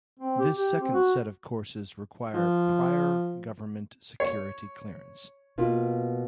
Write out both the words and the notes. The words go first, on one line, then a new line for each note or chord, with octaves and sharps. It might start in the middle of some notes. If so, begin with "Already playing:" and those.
This second set of courses require prior government security clearance.
C4
G4
G4
C4
F#4
F3
C#5
B2 A#3 F4